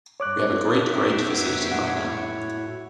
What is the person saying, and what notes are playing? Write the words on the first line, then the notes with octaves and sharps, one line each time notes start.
We have a great, great facility right now.
G2 C#5 D6 F#6
F2 F#3 B3 F#4 G4 E5
A2 E4 F#4 C#5 F#5